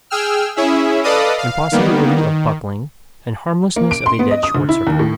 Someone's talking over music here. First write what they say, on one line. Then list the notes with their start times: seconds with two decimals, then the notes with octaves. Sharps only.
Impossibility of "buckling" and harmlessness of a dead short-circuit.
0.10 G#4 G5 E6 F6
0.56 C#4 E4 G#4 E5
1.03 A4 B4 D5 D#5 F5 D#6
1.38 F5
1.72 D#3 G3 A#3 B3
2.16 D#3
3.76 A#3
3.91 D7
4.06 C6
4.19 B3
4.31 D#5
4.43 D#6
4.55 D2
4.69 E4
4.87 D#2
4.99 A2